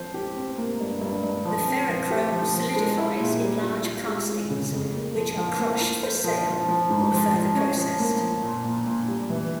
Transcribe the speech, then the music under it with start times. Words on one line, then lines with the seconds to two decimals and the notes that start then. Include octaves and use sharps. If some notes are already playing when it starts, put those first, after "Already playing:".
The ferrochrome solidifies in large castings, which are crushed for sale or further processed.
Already playing: F3 C4 C5
0.14 G4
0.36 C4
0.58 A#3
0.80 G2
1.01 G2
1.23 G2
1.45 F3
1.68 C4
1.89 F3
2.10 G4
2.32 F3
2.54 F3
2.76 G#3
2.97 E4
3.19 A#2
3.41 G3
3.62 F4
3.84 F4
4.07 G#3
4.29 G#3
4.50 C#3
4.72 F2
4.94 A#3
5.16 F3
5.37 F3
5.59 A#3
5.81 F4
6.03 C5
6.24 F3
6.46 F3
6.68 F3
6.90 G#2
7.12 F3
7.34 F3
7.55 C#4
7.77 F3
7.99 A#3
8.21 F3
8.43 A#2
8.64 A#2
8.86 A#2
9.08 G3
9.30 E3